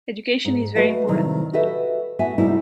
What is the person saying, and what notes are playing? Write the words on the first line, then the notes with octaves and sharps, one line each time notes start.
Education is very important.
G#2
A3 F#4 B4 D#5 F5 A5
A2 C3 D#3 F#3 G3
F#4 G4 A4 B4 D#5 E5
A2 B3 F#4 E5 G#5
A2 C3 G3 D#4 E4 F#4